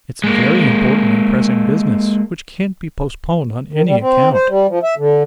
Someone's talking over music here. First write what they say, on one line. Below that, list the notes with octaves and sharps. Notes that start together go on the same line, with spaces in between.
'It's very important and pressing business, which can't be postponed on any account.
G#3 A#3
D#3
G3
C4
C5
G3
F3
E5
D3